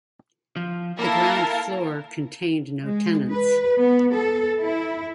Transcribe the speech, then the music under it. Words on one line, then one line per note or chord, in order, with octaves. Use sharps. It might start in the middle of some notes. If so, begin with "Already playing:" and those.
The ground floor contained no tenants.
F3
A#3 E4 A4 A#4 F5 A5
G#3
B4
B3
A4
E4